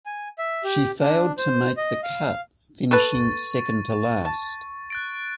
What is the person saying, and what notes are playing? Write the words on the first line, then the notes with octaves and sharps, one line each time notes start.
She failed to make the cut, finishing second to last.
G#5
E5
G4
D4
C5
D#5
F5
A4 B4 C#6 A6
A5
F#6 A6 D7